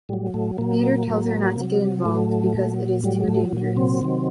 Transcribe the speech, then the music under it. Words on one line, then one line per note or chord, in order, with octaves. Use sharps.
Peter tells her not to get involved because it is too dangerous.
A2 F#3 G3
A2 A3
A#2 F#3 A#3
A2 F#3
C3 F#3
A2 F#3 A3
A#2 F#3
A2 F#3 G3
A2 A3
A#2 F#3
C3 C4
C3 D#3 F#3